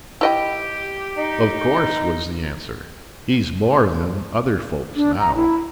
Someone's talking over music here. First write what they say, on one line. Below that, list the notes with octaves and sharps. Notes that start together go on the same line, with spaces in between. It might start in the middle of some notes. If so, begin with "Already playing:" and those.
"Of course," was the answer: "he's more than other folks now."
E4 G4 D#5 G5
D#4
D4
A#5
E4